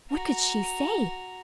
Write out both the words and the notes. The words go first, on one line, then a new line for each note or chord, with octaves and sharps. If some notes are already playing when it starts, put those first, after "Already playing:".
What could she say?
F#4 A#5